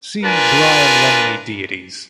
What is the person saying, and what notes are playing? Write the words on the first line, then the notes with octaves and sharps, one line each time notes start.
See Brian Lumley deities.
D4 F4 A#4 B4 G#5